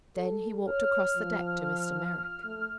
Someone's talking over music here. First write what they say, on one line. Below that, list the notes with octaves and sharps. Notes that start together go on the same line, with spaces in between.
Then he walked across the deck to Mr. Merrick.
A4
C#5 F6
F3
A3